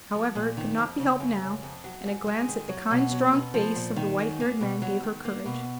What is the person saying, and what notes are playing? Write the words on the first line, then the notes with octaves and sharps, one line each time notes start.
However, it could not be helped now; and a glance at the kind, strong face of the white-haired man gave her courage.
F3
A#2
D#3
F2
C#3
F#2
C#3
F2
F#3
G#2
G#3
D#3
F#3
B2
F#3
B2
F3
A#2
D#3
F#2
A#3
B2
F#3
D#3
A#3
B2